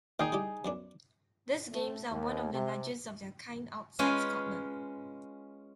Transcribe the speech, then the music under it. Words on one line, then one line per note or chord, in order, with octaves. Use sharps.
These Games are one of the largest of their kind outside Scotland.
A#2 D#3 D#4 G#4 G5
G3 E4 G4
F#2 B3 D4
A3
D#2
C3
G#3 C#4 F4 B4 G#5